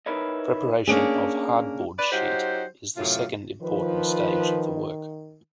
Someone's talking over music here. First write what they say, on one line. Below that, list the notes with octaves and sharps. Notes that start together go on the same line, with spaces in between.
Preparation of hardboard sheet is the second important stage of the work.
D#4 E4 A#4 B4 C#5 D#5
A#3 C#4 D4 G#4
B4 D5
F#3 D#4 F4 G4 C5 F#5
F#2 A2 C3 F4
D#3 F3 B4